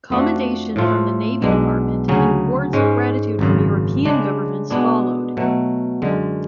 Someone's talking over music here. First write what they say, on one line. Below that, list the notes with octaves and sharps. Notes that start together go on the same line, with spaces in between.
Commendation from the Navy Department and awards of gratitude from European governments followed.
F2 F3 A3 D4 F#4
A2 F3 A3 F4
B1 B2 G#3 D4
D2 C#3 F#3 C#4 G#4
G#2 G#3 C#4
G#1 F#2 C#3
C#3 G#3 D4
B2 G#3 B3 D4 G#4
B2 F#3 A3
F#2 D3 G#3